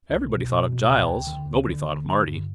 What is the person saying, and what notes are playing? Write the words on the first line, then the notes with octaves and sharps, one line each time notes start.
Everybody thought of Giles; nobody thought of Marty.
C2
B2
B2
B2
D2 G5
D2
D3
D2
D3
D3
D3
G2